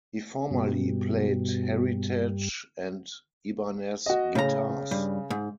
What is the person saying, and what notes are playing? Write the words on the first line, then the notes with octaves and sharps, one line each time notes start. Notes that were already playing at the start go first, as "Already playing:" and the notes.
He formerly played Heritage and Ibanez guitars.
G2 B2 G3
F#4 D#5
A2 C#3 A#5
G2
G#2